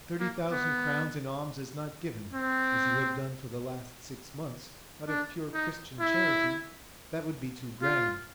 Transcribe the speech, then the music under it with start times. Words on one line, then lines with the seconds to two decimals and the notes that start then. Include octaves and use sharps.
Thirty thousand crowns in alms is not given, as you have done for the last six months, out of pure Christian charity; that would be too grand.
0.20 A#3
0.51 B3
2.33 C4
5.08 D4
5.54 D#4
6.00 E4
7.83 F4